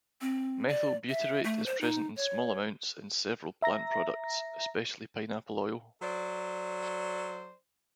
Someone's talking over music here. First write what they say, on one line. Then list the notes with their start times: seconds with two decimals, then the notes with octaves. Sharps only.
Methyl butyrate is present in small amounts in several plant products, especially pineapple oil.
0.21 C4
0.68 D5
1.09 E5
1.44 A3
1.66 C5
1.81 D#4
2.17 C#5
3.62 E5 A#5 A#6
6.02 F#3 A4 C5 D5